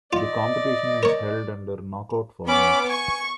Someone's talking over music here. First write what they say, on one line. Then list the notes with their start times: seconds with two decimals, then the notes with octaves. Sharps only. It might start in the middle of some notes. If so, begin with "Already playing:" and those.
The competition is held under knockout format.
0.13 F4 D5 D#5
1.03 A#4 C#5
2.48 B3 C#4 B5 D6
2.89 G#5 C#6